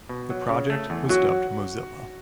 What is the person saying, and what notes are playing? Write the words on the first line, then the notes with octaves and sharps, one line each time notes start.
The project was dubbed Mozilla.
B2
F#3
C#3
A3
E2
F#3 F#4